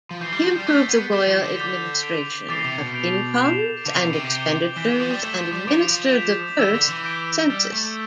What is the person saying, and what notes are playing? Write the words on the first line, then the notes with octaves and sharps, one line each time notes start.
He improved the royal administration, of incomes and expenditures, and administered the first census.
F3
E3 G6 C7 G7
G3
F3
G3
A3 D6 G6 B6
B3
G3 A6 E7 G7
F3
D3
D6 G6 B6 F7
G6 D7 F7
E3 D6 A6 C7 G7
C3
B2
G6 D7 F7
G6 C7 E7
D3 D6 A6 C7 F7
C3
B2
C3
G6 D7 G7
E3 G6 B6 E7
E3
F3
G3
A3 G6 B6 E7
F3
G3
F3 D6 A6 D7 F7
F3
G6 B6 E7
E3 E6 B6 E7 G7
D3
E3
G6 D7 G7
G3 A6 E7 G7
A3